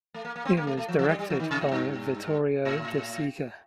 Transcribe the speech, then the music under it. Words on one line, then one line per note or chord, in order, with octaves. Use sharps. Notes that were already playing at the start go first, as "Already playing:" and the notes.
It was directed by Vittorio De Sica.
A3
A#3
A#3
C4
A#3
A3
A3
F3
F3
G3
G3
F3
D#3
C3
A2
G2
A2